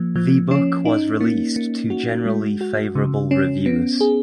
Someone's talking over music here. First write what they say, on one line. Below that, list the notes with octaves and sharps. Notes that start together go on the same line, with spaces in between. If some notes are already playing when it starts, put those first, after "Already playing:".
The book was released to generally favorable reviews.
Already playing: F3 A#3
F3
C#4
D#4
A#3
A#3
F#4
G#3
F#4
C#3
C#4
B3
G#4